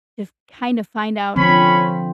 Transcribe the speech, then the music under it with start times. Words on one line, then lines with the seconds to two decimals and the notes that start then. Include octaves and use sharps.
if kinda find out
1.36 D3 F3 C4 C#4 B5